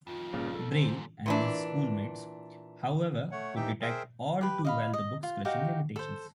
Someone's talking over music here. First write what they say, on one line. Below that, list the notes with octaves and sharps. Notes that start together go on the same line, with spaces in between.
Braille and his schoolmates, however, could detect all too well the books' crushing limitations.
F2 D#3 F4
G1 A#2 C#3
A4
F#2 A#2 C5
A#2 E3 D4
A3 C#5 F#5
D#2 E3 D#4 G4 E5 G5
G#4 A#4 C5 E5 G5
G4 B4
D#5 F5 B5
D#5
F4
D#4 F#4 G4 F5
A4 C5